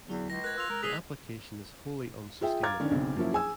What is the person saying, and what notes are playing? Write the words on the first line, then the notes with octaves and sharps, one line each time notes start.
The application is wholly unsustainable.
E2 D3 F#3 E4
C#2 A#6
A#4 B4 F#6 G#6
F4 E6 F7
G#3 A#4
G#4 B6 F7 G7
F4 G#4 E5 G5
F5 A#5 D6 F6 G#6 A6
D3 D#3 C#4 D4
B1 C#3 C4
F3 F#3 A#3 C#4 E4
G#4 G#5 E6